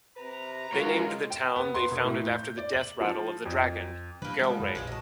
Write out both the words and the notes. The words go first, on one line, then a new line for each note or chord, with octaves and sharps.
They named the town they founded after the death rattle of the dragon: Gelre!
C3 B4 A#5
G#3 F4 F#4 A#4 C#5
G5
B3
C6
E1
A2
G6
D5
F#7
F3
F2
G2 E3 A#3 D4 B4 B5
C#3 F3 G3 G#3 B3
F#2 D#3
A#1 G#3 F4 G4
F#3 D#5 A5